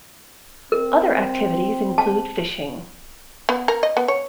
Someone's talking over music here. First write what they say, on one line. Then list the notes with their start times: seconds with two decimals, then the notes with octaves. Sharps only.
Other activities include fishing.
0.72 C4 A#4
1.98 A5
3.49 B3
3.68 A#4
3.83 D#5
3.97 B3
4.08 C#5